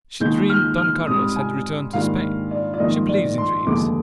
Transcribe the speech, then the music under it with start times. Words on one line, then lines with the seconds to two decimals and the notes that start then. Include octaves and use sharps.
She dreamed Don Carlos had returned to Spain; she believes in dreams.
0.20 D#2 D#3 G#3 D#4 G6
0.49 F6
0.78 F6
1.07 G#2 G3 C4 D#6
1.36 G#5
1.93 G#2 D#3 G3 A#3 D4 F5
2.51 D5
2.74 D5
2.80 A#1 G#2 D#3 A#3 F4 D#5
3.09 D5
3.38 C6
3.66 F1 D#2 D3 G#3 D6